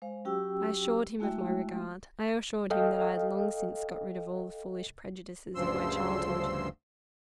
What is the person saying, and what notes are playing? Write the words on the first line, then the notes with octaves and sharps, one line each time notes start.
I assured him of my regard: I assured him that I had long since got rid of all the foolish prejudices of my childhood.
G#3 C5 F5
F#3 C#4 F#4 G4 G5 E6
G#3 A3 E4 F#4 E5 G5
A4 D#5 F5 G5
D2 G2 C#3 F3 C6 E6